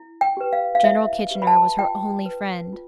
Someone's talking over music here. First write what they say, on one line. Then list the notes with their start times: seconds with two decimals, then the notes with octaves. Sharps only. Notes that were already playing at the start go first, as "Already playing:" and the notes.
General Kitchener was her only friend.
Already playing: E4
0.21 G5
0.37 G4 B4
0.53 F5
0.75 F5
0.84 E4 E5
1.31 G4 B4
1.42 B5
1.47 A5
1.78 F4 G5
2.26 B4
2.73 F4